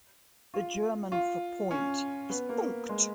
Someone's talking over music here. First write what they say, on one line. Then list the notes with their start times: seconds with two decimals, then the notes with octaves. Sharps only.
The German for point is Punkt.
0.54 F4
1.12 F4
1.71 C#4
2.30 B3
2.49 A#3
2.89 G#3